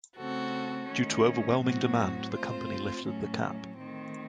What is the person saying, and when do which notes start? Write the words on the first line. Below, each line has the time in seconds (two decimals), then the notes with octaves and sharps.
Due to overwhelming demand, the company lifted the cap.
0.17 C#3 A3 C4 F#4 A4
0.89 D#3 A3 C#4
1.61 A2 F#3 C4 F#4
2.33 A3 C4 F4 C5
3.05 A2 F#3 A3 C#4
3.78 D#3 A3 C4